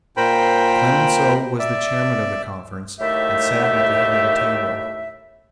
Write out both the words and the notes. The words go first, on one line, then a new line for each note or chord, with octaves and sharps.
Clemenceau was the chairman of the conference and sat at the head of the table.
A#2 A#4 C5 G5 B5
D5 E5
D#2 A2 A3 G4 E5